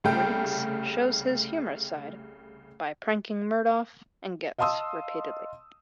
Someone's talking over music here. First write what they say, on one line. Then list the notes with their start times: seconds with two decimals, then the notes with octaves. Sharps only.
Riggs shows his humorous side by pranking Murtaugh and Getz repeatedly.
0.04 C2 C#3 G3 A3 G5
4.58 D#5 F5 A5 C6 D#6 E6